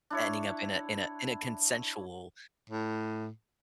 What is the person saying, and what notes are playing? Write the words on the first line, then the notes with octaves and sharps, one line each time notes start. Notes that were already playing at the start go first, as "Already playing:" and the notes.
ending up in a in a in a consensual,
D4 E4 C#5
A2